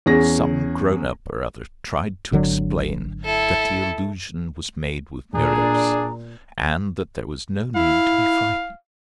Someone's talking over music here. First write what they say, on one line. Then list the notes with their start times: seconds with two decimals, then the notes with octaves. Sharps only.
Some grown-up or other tried to explain that the illusion was made with mirrors, and that there was no need to be frightened.
0.06 E2 C#4 G#4 A#6
2.32 G#1 D3 F#3
3.24 E4 A4
5.35 A#2 D4 G#4 A#5
7.76 E4 F5